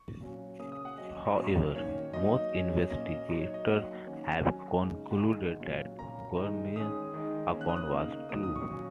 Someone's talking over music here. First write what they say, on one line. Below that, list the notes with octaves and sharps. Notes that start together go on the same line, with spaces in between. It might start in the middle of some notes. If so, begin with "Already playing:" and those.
However, most investigators have concluded that Gurney's account was true.
Already playing: C#6
A#2 F#3 C#4
C#3 A#3 C#4 D#6
D#6
F#5
F#3 C#4 D#5
A#2 F#3 C#4
D#3 A#3 C#4 C#5
F#3 A#3 D#4 D#5
F#3 C#4
A#2 A#3 C#4 D#5
F#3 D#4
C#5
D#5
F#3 A#3 D#4 F#5
D#3 A#3 C#4
F#3 C#4 G#5
C#3 G#3 D#4
F#5
D#3 G#3 D#4 G#5
A#2 F#3 C#4
A#2 A#3 C#4 A#5
D#3 G#3 D#4
D#3 G#3 C#4 D#6
D#3 G#3 D#4
D#3 A#3 C#4
F#6
D#6
F#6
C#3 A#3 D#4
D#3 F#3 A#3 D#6
D#6
C#6
A#2 F#3 C#4